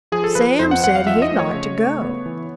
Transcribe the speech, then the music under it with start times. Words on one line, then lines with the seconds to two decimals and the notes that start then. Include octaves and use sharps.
Sam said he'd like to go.
0.12 F3 G#4
0.24 A4
0.35 F3 B4
0.59 F2 C5
0.71 F#5
0.83 F2 F#5
0.96 F5
1.06 F3 E5
1.22 D#5
1.31 A3
1.39 C#5
1.54 C#3
1.78 A3
2.01 B3
2.26 E3